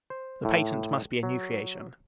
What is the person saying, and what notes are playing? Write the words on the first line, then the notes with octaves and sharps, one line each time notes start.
The patent must be a new creation.
C5
A2
F#3